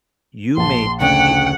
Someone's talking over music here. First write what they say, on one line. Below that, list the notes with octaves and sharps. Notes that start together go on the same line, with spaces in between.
you made the he
A#1 A5 C6
D2 C#3 D4 F#5 G5